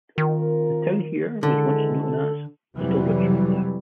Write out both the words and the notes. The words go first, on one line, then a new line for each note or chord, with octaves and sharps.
The town here was once known as 'Little Richmond'.
D#3 C4 F4 A#4
D3 E3 G#3 A4
F2 C3 E3 F#3 G3